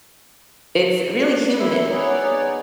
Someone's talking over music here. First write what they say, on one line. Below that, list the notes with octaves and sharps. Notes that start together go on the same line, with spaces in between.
it's really humid,
E4
B3 D#4 G#4 C#5 D5